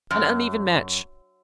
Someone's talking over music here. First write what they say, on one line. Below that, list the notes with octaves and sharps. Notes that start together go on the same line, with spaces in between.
An uneven match.
F#2